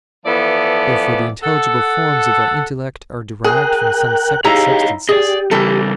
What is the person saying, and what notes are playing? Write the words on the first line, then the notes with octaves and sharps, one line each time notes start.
Therefore the intelligible forms of our intellect are derived from some separate substances.
E3 F3 B3 E4 A4 D5
A4 F#5
G#4 A#4 G5 F#6
D#4 E4 G4 G#4 C#5 D#5 F5 A#5
G4 G#4 D5 D#5
C#3 E3 G3 A#3 A4